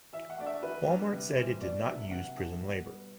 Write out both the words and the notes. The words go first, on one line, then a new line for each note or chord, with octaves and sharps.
Walmart said it did not use prison labor.
E3 E5
F#5
A3 D4 D5
E5
E3 B4
G3 B3 D4
C3
E3 G3 C4
B2 D5
F#3 B3 D4 E5
C3 F#5
E3 A3 D4
B2
G3 B3